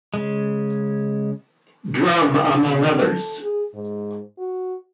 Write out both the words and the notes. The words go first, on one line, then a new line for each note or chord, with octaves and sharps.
Drum among others.
C#3 G#3
B2
A4
G#4
G#2
F#4